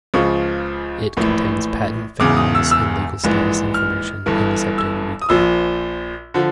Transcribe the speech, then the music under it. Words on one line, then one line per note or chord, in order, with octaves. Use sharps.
It contains patent families and legal status information, and is updated weekly.
C#2 C#3 F3 C#6
A#1 A2 E3
E1 E2 C#3 D6
D#6
E6
E6
A#1 G#2 E3
F6
G1 G2 E3
E6
D#6
A#1 A#2 F3 E6
D3 F3